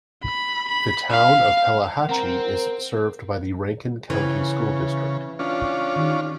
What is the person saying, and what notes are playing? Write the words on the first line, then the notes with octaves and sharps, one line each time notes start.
The Town of Pelahatchie is served by the Rankin County School District.
B5
B5
F5
C4 A#4 F#5 A#5
C#3 E3
C#4 D4 F4
D#3 D#4 G4